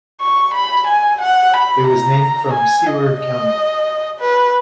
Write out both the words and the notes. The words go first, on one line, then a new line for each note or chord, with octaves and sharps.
It was named from Seward County.
C#6
B5
G#5
F#5
B5
A#5
G#5
D#5
D#5
B4